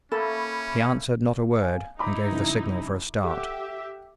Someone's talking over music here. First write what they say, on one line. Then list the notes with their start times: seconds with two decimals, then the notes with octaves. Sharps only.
He answered not a word, and gave the signal for a start.
0.12 A3 A#3 C#4 E4 A4 B5
1.60 F5 G#5
1.99 D#4 E4 A#5 B5 D6
2.32 C2 F#2 E3
3.24 G4 A4 E5 F#5